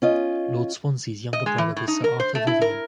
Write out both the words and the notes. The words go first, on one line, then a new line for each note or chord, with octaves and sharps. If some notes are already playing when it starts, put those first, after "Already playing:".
Lord Swansea's younger brother was Sir Arthur Vivian.
C#4 F4 D#5
D#5
G#3
E3
A2
D#4
A#4
C5
A3
E4
A#4